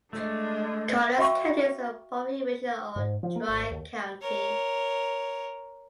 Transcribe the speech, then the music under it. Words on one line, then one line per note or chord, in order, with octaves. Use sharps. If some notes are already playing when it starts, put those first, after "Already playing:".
Carlisle County is a prohibition or dry county.
G#3 A3 D4
F#4 E5 F5 G5 C#6 E6
G#2
F3
A#3
G#1
D#2
A#4 C#5